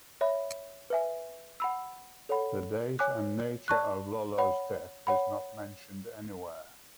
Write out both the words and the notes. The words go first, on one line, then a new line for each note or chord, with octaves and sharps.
The date and nature of Iollas' death is not mentioned anywhere.
C#5 E5 B5
B4 E5 G#5
F#5 B5 E6
A4 C#5 F#5 B5
C#5 G#5 D6 F#6
D5 A5 C#6 F#6
C#5 F#5 B5
C#5 F#5 B5